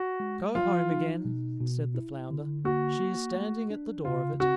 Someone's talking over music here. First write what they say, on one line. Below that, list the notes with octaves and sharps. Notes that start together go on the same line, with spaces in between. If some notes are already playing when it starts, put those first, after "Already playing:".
"Go home again," said the flounder; "she is standing at the door of it."
Already playing: F#4
G#3
F3 F4
D#4
B2
B2
E4
D3
A#3 F#4
A#3
A3
D4
C#3 F4
C4 F#4